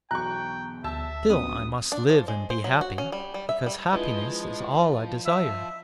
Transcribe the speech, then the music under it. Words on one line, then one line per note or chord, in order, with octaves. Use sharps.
'Still I must live and be happy, because happiness is all I desire.
B1 E2 G5 A#5 C#6 F#6
D2 E5 A5 E6
A#1 F#2 B3 D#6
D4
F3
G#3
C5
F#3
F#4
C#4
G3
G3
E5
G3
F3 G#3 D4 E4 F4 B4 D#5 B5
E5